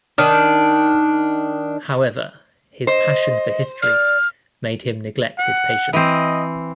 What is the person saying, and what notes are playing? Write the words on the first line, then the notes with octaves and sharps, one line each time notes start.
However his passion for history made him neglect his patients.
D#3 D4
C5 D#5
D5 F6
F#5
E3 C4 D#5